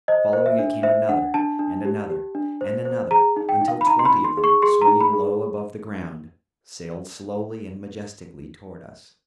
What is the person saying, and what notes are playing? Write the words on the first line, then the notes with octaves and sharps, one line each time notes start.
Following it came another, and another, and another, until twenty of them, swinging low above the ground, sailed slowly and majestically toward us.
C5 D#5
C5
E5
D4
C5 E5
D4 F#5
D4 A5
D4
G4
G4
D4
C5
C5
G#4 A#5
D#4
G5
D#4
F5
B5
D#4 A#5
C6
B5
D#4
C6
G#4
C#6
G#4 C6
A#5
D#4
B5
G#4